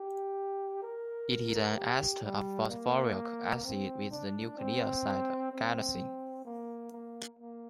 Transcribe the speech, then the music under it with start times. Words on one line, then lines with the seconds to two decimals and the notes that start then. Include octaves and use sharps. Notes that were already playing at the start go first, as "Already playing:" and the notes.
It is an ester of phosphoric acid with the nucleoside guanosine.
Already playing: G4
0.82 A#4
1.76 G4
2.22 G3
2.69 A#3
3.63 C4
4.11 D4
4.57 C4
5.51 C4
6.45 A#3
6.92 A#3
7.39 A#3